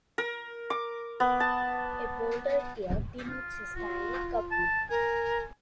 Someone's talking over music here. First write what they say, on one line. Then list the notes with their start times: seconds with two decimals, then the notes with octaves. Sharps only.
A bolded year denotes a Stanley Cup win.
0.18 A#4
0.70 D6
1.20 B3
1.40 A5
3.26 F4
3.75 F4 F#4
4.51 A5
4.90 A#4 G#5